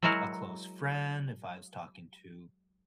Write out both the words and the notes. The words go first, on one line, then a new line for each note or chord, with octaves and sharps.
a close friend, if I was talking to
F#3 G#3 E4 F#4 A#4 F5